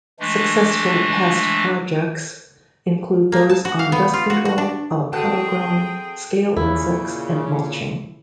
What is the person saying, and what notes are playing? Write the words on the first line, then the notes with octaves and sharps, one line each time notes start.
Successful past projects include those on dust control, avocado growing, scale insects, and mulching.
E3 G#3 A3 D4
A#3
A5
F#4
F5
B3
F4
F#4
F#4
D4
C4 F#4 G#4 A4 F#5 G5 A5
E2 A#2 C#3 E4